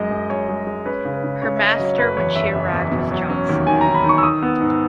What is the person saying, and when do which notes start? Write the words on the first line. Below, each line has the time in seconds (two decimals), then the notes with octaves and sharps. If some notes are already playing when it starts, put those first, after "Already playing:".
Her master when she arrived was Johnson.
Already playing: F#2 G#3 D#5
0.11 F#2
0.30 F#2 C#5
0.49 G#3
0.67 G#3
0.86 C#4 B4
1.05 C#3
1.14 B4
1.24 C#3
1.42 C#3 C#5
1.57 C#4 E5
1.71 D#5
1.79 F#3
1.85 C#5
1.98 F#1 B4
2.17 E2 C#5
2.35 F#1 E5
2.55 F#1
2.73 E2
2.91 B2
3.11 F#3
3.30 C#4
3.49 D#2
3.67 D#3 G#5
3.81 A#5
3.86 D#3
3.94 B5
4.04 D#3 C#6
4.18 E6
4.23 D#3 D#6
4.42 B3
4.60 G#2